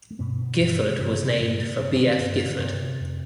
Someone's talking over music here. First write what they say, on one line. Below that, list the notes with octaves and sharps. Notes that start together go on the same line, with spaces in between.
Gifford was named for B. F. Gifford.
A3
G2 B2 B3
D3
G2
D3
G2 C3 C4
D3
G2 G3
D3 A3
B3
G2 C3 C4
D3
G2
D3
G2 C3 C4
D3
F2